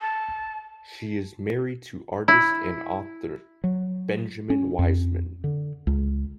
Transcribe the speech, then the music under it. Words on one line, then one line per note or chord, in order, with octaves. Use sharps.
She is married to artist and author Benjamin Weissman.
A5
E4
F#3
C#4
F2
D3
C#2